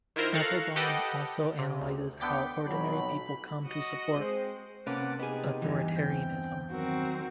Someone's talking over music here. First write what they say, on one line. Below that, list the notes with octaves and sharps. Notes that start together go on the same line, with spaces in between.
Applebaum also analyzes how ordinary people come to support authoritarianism.
D#3 E4 F4 A#4 C5
A4 F5 A#5 C#6 F#6
G4 A4 B4 D#5 F#5 G5
C3
D2
D3 B3 G5 D6 B6 C#7
B1 F2 F#3 B5
F#4 D#5
G#3 C4 C5
C3 A#3 C#4 B4 F#5 A5 D6
B3 D#4 G4 G#4
E2 G2 E3
C4 G5
D#3 F#3 C4 F#4 A#4